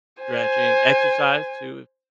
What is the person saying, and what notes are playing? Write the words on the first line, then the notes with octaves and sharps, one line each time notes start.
Stretching, exercise too, if
C5 G#5